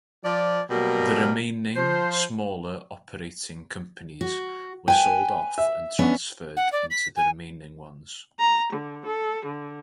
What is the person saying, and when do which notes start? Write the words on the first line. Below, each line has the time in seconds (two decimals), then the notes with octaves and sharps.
The remaining smaller operating companies were sold off or transferred into the remaining ones.
0.24 F3 D5
0.70 B2 F#3 G3 A#3 A#4
1.76 F3 C5
4.21 F#4
4.88 B4 G5 G#5
5.58 E5
5.99 B3 C#4 D4
6.57 F#5
6.72 D5
6.90 B6
7.16 G#5
8.39 A#5
8.72 D3
9.06 A4
9.46 D3